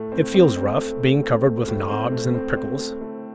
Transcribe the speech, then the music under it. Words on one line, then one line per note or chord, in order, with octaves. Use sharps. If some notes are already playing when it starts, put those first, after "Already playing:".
It feels rough, being covered with knobs and prickles.
Already playing: A2 A3
C4
C4
C4
A3
A3
C4
A3
A2
C4
A3
C4
C4
A3
A3